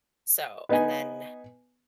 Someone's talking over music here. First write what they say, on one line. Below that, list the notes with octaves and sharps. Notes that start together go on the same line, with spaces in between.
So and then,
B3 D#4 G#5